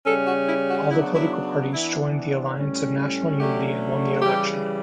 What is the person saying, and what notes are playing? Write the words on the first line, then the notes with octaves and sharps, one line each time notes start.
All the Political Parties joined the alliance of national unity and won the election.
C#3 G3 C#4 A4
F#4
E4
F#4
C#3 F#3 B3 D4 E4
F#4
E4
E3 B3 D4 E4
A2 G3 C#4
D3 F#3 A3 C#4 G4
C#3 E3 G3 G4